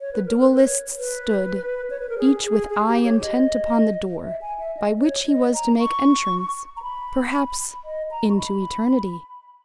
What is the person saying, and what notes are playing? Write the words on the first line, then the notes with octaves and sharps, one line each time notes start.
The duellists stood, each with eye intent upon the door, by which he was to make entrance-- perhaps into eternity!
C#5
B4
A#4
B4
B4
C#5
B4
C#5
B4
A#4
G#4
G#4
G#4
G4
C#5
D#5
E5
G#5
E5
D#5
D#5
C#5
D#5
A#5
C#6
A#5
B5
D#5
A#5
C#6
B5